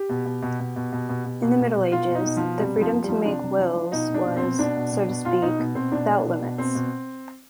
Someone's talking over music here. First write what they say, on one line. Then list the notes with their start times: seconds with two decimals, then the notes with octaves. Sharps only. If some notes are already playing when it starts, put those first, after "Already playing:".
In the Middle Ages, the freedom to make wills was, so to speak, without limits.
Already playing: G4
0.09 B2
0.25 B2
0.42 B2
0.59 B2
0.76 B2
0.93 B2
1.09 B2
1.25 B2
1.42 B2
1.59 B2
1.76 B2
1.92 B2 F4
2.09 B2
2.15 D#4
2.25 B2
2.37 F3
2.42 B2
2.59 C3 G3
2.75 C3
2.81 F3
2.92 F3
3.03 G3
3.09 F3
3.25 C3 D4
3.42 C3
3.59 F3
3.75 F3
3.92 B2 D#4
4.09 B2
4.14 D4
4.25 B2
4.37 C4
4.42 B2
4.59 B2 D4
4.76 B2
4.92 B2
5.09 B2
5.25 B2 F4
5.42 B2 D#4
5.59 B2
5.75 B2 C4
5.92 B2 D4
6.08 B2
6.25 B2
6.41 B2
6.58 B2 C4
6.75 B2